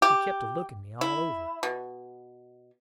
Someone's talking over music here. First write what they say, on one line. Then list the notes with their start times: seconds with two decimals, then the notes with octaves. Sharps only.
He kept a-looking me all over.
0.02 G4
1.01 E4
1.63 B2